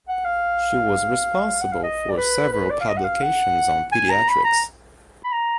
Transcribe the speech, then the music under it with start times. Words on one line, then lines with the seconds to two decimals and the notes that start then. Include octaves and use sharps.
She was responsible for several publications on pediatrics.
0.08 F#5
0.25 F5
1.62 F#5
1.72 F5
1.83 D#5
2.10 D5
2.17 B4
2.53 B4
2.70 D5
2.81 F5
2.88 D#5
2.97 F#5
3.05 F5
3.23 F#5
3.92 G#5
4.10 A#5
4.28 B5
4.45 A#5
5.24 B5
5.32 A#5